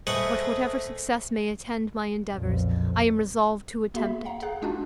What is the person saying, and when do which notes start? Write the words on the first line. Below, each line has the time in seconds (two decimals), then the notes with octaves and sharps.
But whatever success may attend my endeavours, I am resolved to attempt it.
0.07 A3 C4 G#4 B4 D#5 F#5
2.32 B1 F2 A#2
3.94 A#3 F#4 G#4 E5 B5 B6
4.25 F5 F#5 A#5
4.42 G#4 F5 F#5 F#6
4.62 G#3 D4 D#4 F4 F#4